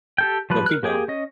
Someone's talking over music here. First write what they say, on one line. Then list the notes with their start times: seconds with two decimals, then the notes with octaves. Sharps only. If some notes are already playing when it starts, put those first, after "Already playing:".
No, keep going.
0.18 G4 A4 G5
0.50 F3 G3 B4
0.66 A#4 F#6
0.83 A#3 G4 G#4 G5
1.08 C#4 D#5